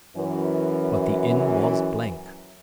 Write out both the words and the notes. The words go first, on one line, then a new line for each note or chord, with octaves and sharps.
But the inn was blank.
F#2 E3